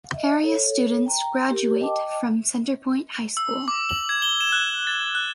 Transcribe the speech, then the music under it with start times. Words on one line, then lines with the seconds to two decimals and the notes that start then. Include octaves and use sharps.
Area students graduate from Centerpoint High School.
0.14 D#5 E5
0.44 A4 C#5
1.06 G5 A#5
1.50 G4 A#4
1.81 D#5 G5 A5 D6
3.37 E6
3.68 D6
3.89 F#7
4.09 G#6
4.22 G7
4.41 E7
4.52 F#6
4.87 A6
5.15 F#6